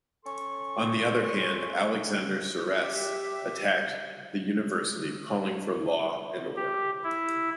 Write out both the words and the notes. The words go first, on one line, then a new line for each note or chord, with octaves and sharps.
On the other hand, Alexander Sceresse attacked the University, calling for law and order.
C#4 A4 C6 C#6
G4 E5
G4
E4